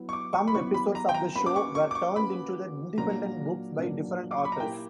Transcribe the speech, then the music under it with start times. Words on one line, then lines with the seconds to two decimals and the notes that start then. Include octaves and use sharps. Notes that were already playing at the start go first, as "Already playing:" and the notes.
Some episodes of the show were turned into the independent books by different authors.
Already playing: F#3 B3 E4 B4
0.09 C#6
0.13 D6
0.33 C#6
0.48 B5
0.54 F#3 B3 E4 B4 C#6
0.74 B5
0.95 A#5
1.09 G5
1.15 A#5
1.35 A#3 C#4 F#4 B4 B5
1.46 D6
1.56 C#6
1.75 C#6
1.91 D6
1.95 C#6
2.16 A#3 C#4 F#4 B4 B5
2.97 A#2 F#3 A#3 D4 A#4 A#5
3.79 A#2 F#3 A#3 D4 A#4
4.31 D6
4.38 C#6
4.45 B5
4.52 A#5
4.59 A#2 A#3 E4 G4 A#4 G5